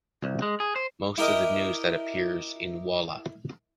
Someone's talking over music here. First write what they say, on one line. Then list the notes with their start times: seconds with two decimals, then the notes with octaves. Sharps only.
Most of news that appears in Walla!
0.24 C2
0.42 G#3
0.60 G#4
0.76 C5
1.18 E4 G4 A#4 D#5